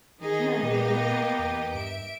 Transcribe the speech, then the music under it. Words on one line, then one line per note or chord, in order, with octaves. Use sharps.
Yeah it is.
D#3 D#4 G#4 D#5
A#2 A#3 B3 G4
E2
G2 E5 D7